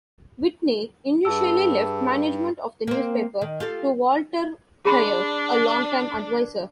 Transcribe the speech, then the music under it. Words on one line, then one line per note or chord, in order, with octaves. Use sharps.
Whitney initially left management of the newspaper to Walter Thayer, a longtime advisor.
G2 G#4 A5 E6
A#3 C4
D#3
F4 G4 A4
D4 G#4 B5 C6